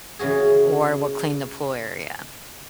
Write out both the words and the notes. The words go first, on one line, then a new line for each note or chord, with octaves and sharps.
or we'll clean the pool area.
C#3 E3 F#4 G#4